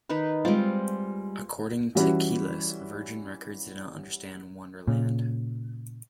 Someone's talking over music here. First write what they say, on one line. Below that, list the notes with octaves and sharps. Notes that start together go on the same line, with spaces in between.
According to Kelis, Virgin Records did not understand "Wanderland".
D#3 D#4 B4
G3 G#3 C4 F4 D6
E3 G3 C#4 E4 F#4
A#2 C#3